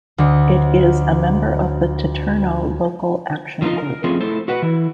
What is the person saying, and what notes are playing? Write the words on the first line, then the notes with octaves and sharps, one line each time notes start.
It is a member of the Titerno Local Action Group.
D2 D#5 C#7
F3 G#3 A3 D#4 F4
A#4
F3 A3 C4 C#4 F4 G#4
A3 E4 A4 C5
F#4 B4 F#5
E3 E4